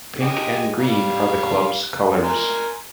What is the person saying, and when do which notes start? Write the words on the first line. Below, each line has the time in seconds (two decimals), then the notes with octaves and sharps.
Pink and green are the club's colours.
0.21 G4 G#4 D#5
0.79 G3 F5
2.24 A#4 G#5 C6